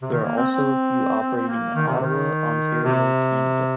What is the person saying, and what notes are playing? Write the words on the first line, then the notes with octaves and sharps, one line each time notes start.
There are also a few operating in Ottawa, Ontario, Canada.
C3
D#3
A#3
C4
C4
C4
C4
A#3
D#3
C3
D#3
C3